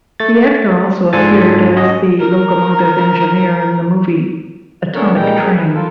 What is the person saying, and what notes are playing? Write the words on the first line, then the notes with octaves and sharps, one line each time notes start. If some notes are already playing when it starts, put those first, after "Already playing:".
The actor also appeared as the locomotive engineer in the movie "Atomic Train".
A3 A6
G#2 D4 F4 A4 G#5 A6
C#4 F#4 C#5 D#5
A#4 A#5
B3 C#4 D4 A4 A#4 C#5
A#2 G3 G#3 G5 A#5
C4 G#4 A#4
E3 B4
F4 A4 A#4